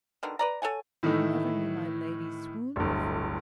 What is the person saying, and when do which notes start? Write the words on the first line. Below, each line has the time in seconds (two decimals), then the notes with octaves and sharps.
I never knew my Lady swoon before.
0.23 B2 D3 D#3
0.39 B4 D5 A#5
0.62 A4 C#5 F#5 G#5
1.03 A2 D#3 E3 A3 D#4 E4
2.76 D1 G1